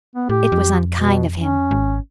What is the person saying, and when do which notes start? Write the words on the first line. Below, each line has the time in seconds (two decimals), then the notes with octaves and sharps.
It was unkind of him.
0.15 B3
0.29 A2 G4
0.52 F2
0.93 B2
1.39 C#4
1.71 G#1